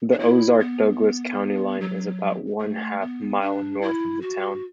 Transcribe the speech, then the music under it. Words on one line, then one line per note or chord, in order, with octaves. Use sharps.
The Ozark-Douglas county line is about one-half mile north of the town.
D4
E4
B3
F#3
A3
B3
D4
E4
F#4